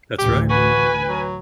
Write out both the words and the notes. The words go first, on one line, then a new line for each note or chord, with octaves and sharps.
that's right.
A1 D2 G4
F#4 B4 G#5
F#3